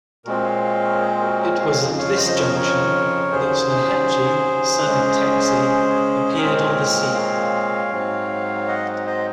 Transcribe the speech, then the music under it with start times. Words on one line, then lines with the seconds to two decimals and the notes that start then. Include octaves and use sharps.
It was at this junction that Nurhaci, son of Taksi, appeared on the scene.
0.25 A#2 G#3 C4 F#4 A#4
0.44 C#5 F5
0.64 C#5 F5
0.83 A#4 C#5
1.01 G#4 C5
1.21 F#4 A#4
1.40 A#4 C#5
1.59 C#5 F5
1.79 F2 C#3 F3
1.97 C#5 F5
2.17 C5 D#5
2.28 C5
2.36 A#4 C#5
2.55 A#4 C#5
3.32 D#2 C#3 F#3 C#4 G#4 C5
4.85 C#3 G#3 C#4
6.37 A#2 G#3 C4 A#4 C#5
7.14 C#5 F5
7.91 G#2 F#3 C4
8.67 D#5 F#5
9.06 C5 D#5